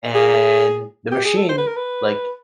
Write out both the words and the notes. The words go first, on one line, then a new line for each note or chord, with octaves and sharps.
and the machine, like,
G#4
G4
G#4
A4
C5
B4
A#4
B4